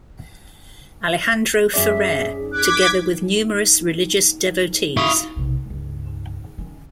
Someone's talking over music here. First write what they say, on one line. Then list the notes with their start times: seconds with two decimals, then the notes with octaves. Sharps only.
Alejandro Ferrer, together with numerous religious devotees.
1.74 F#2 C#4 G#4 D5 E5
2.52 D6 F#6 G#6 B6
4.97 E4 F5 C#6 D#6 F7
5.36 B1 C3
5.66 C#2 G2
6.58 D#3 C#4